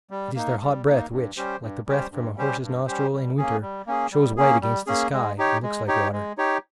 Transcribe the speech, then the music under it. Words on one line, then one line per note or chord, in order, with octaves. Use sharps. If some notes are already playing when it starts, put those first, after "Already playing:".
It is their hot breath which, like the breath from a horse's nostrils in winter, shows white against the sky and looks like water.
G3
A#3 D#4
G3
A#3 D#4
G2
G3 C#4 G4 C5
G2
G3 C#4 G4 C5
G2
G3 C#4 G4 C5
G2
G3 C#4 G4 C5
G3
A#3 C#4 G#4
G3
A#3 C#4 G#4
G3
A#3 C#4 G#4
G3
A#3 C#4 G#4
G#3
D#4 G4 C#5
G#3
D#4 G4 C#5
G#3
D#4 G4 C#5